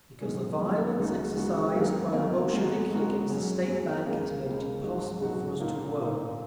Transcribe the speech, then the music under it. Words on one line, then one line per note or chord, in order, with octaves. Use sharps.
Because the violence exercised by the Bolsheviki against the State Bank has made it impossible for us to work.
F#2 D#3 G#3 C#4
F#2 D#3 G#3 C#4
C#2 C#3 G#3 D#4 F#4
C#2 C#3 G#3 D#4 F#4
G#1 F#2 D#3 A#3
G#1 F#2 D#3 A#3
G#1 G#2 G#3 F#4 A#4
G#1 G#2 G#3 F#4 A#4
F#2 F#3 C#4 G#4
F#2 F#3 C#4 G#4
C#2 C#3 A#3
C#2 C#3 A#3
G#2 F#3 D#4 F#4
G#2 F#3 D#4 F#4
A#2 A#3 D#4
A#2 A#3 D#4